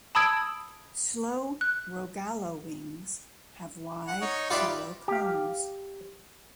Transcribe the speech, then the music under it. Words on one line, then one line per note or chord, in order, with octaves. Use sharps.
Slow Rogallo wings have wide, shallow cones.
A5 B5 D#6 E6 G#6 D7
F#6
F#5
D#4 C#5
G3 F4 G4 B4 D5 E5
G4 F5